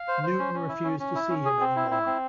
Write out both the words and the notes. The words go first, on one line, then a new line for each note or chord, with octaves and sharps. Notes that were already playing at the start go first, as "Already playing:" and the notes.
Newton refused to see him any more.
Already playing: F5
C5
C5
C#4
C#4
E4
C#4
C#4
E4
C#4
G#4
C4
E4
E4
C4